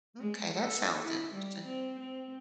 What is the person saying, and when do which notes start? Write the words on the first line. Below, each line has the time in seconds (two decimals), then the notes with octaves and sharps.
Okay, that sounds interesting.
0.20 G#3
0.57 A4
1.02 E4
1.34 G3
1.66 C4
1.99 C4